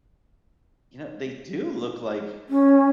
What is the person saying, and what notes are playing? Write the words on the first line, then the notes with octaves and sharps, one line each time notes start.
you know, they do look like
C#4